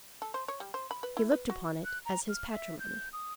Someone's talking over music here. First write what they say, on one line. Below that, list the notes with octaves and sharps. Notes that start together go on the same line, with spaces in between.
He looked upon it as his patrimony.
A4
C5
C#5
G3
C5
B5
B4
E4
B4
F#4
F#6
A#5
F6
E5
G6
D#6